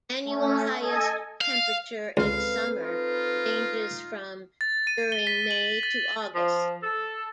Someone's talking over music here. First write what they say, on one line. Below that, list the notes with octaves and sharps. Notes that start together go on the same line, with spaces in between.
Annual highest temperature in summer ranges from during May to August.
A3 C#4
A4 D#5 G#5
F5
C#2 C4 A4 B4 F5
D#4 F4
A6
D#7
G7
B6
F#7
A6
F3
A4